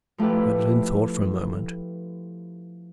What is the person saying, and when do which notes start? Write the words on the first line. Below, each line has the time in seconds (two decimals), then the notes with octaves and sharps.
Gwendolen thought for a moment.
0.18 F3 A3 E4 G4 B4